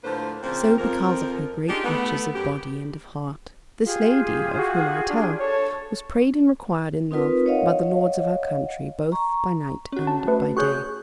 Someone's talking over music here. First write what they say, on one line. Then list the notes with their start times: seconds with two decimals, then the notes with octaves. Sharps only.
So because of her great riches of body and of heart, this lady of whom I tell, was prayed and required in love by the lords of her country, both by night and by day.
0.04 D2 A2 F3 A#3 B4 C5
0.43 A#2 C#3 F3 A#3 C4
0.79 F2 F3 A#4
1.69 D4 D#4 F4 G4 G#4
1.84 A3 B3
2.35 F#2 G4
3.84 F4 G4 G#4
4.58 F#4
5.09 D4
5.39 A4 C#5 A5
7.11 C4 D#4 F4 A#4 B4
7.46 C#5 D#5 F5 F#5
9.12 A#5 C#6
9.92 C#4 F#4
10.07 A5
10.27 A3 B4
10.57 F#4 G#4 C#5 C#6 F#6 G6